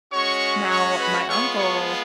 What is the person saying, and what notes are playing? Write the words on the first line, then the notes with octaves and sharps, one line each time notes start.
now my uncle
G#3 C#4 F#4 C#5 C#6
C#5 C#6
B4 B5
G#3 B3 F4 C#5 C#6
C#5 C#6